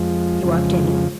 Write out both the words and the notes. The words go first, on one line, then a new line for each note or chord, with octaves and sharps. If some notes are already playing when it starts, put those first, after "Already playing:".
He walked in.
Already playing: F2 F3 G#3
F2 C#3 F3